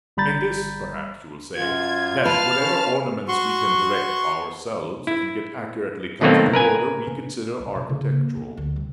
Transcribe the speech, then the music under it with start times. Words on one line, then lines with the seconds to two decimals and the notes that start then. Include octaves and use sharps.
In this, perhaps, you will say; that whatever ornaments we can direct ourselves, and get accurately cut to order, we consider architectural.
0.17 G1 G3 A#5 B5 G6 A6
1.56 F#2 F4 G#6
2.25 B4 F5 A5 F6
2.56 C#4
3.28 F#4 C6 C#6
5.07 E4
6.21 B2 D#3 F#3 A3 A#3 C4
6.53 A#4 B4 G#5
7.59 C2
7.75 B2
7.89 C#3
8.11 A#3
8.36 B3
8.57 D2
8.76 C2